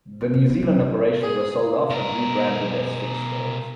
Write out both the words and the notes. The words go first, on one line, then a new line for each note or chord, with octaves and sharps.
The New Zealand operations were sold off and rebranded as Fix stores.
F4
A#2
E4
F#3
E3
G#4
B2 A#4